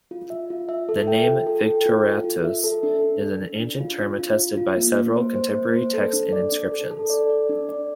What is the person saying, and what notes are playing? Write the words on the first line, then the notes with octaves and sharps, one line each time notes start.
The name "victoriatus" is an ancient term, attested by several contemporary texts and inscriptions.
F4
E5
F4
E5
A4
G5
F4
A4
G5
F4
A4
F4
E5
A4
D4
D4
D4
D4
D4
F4
D4
F4
F4
F4
A#3
A#3
C5
C5
A#3
C5
A4
D4
D5
D4
A4
A4
D5
D5
D4
D5